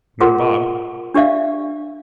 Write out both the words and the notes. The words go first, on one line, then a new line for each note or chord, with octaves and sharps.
No Bob.
F4 G#4 A#4 F#5 C6
D4 G4 D5 E5 F5